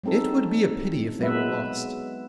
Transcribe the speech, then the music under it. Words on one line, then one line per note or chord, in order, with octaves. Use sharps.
It would be a pity if they were lost.
F#3 G#3 C4 D#4 A4
F#3 G#3 B3 B4 E5